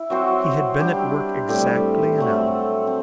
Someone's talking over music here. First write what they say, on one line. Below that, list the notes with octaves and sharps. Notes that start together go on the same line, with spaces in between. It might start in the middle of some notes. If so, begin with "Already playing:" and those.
He had been at work exactly an hour.
Already playing: E4
F#3 C4 F#4 C5
G3 D4 G4
A2 G3 C4 G4
F#3 A3 C4
C4